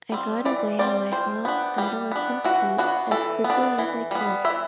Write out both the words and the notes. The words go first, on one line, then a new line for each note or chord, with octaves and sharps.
I got away on my hot adolescent feet as quickly as I could.
G3 C4
E3 D5
G3 C4 D5
G3 C5
B3 D4
G3
B3 D4
E3 F#4
B3 D4 F#4
E3 A4
B3
D4
E3
G3 B3
E3 E5